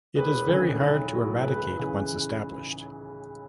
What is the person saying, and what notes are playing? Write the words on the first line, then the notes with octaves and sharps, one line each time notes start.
It is very hard to eradicate once established.
E1 B4
D2 C#3
B1
A2 F#3
C#2 B4
C#3 E3